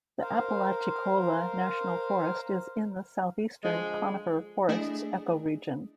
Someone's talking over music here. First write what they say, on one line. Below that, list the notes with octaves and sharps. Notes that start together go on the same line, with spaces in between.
The Apalachicola National Forest is in the southeastern conifer forests ecoregion.
A#4 C5 F5
D3 F3 G#3
A3 D4 E4 G#4 D#5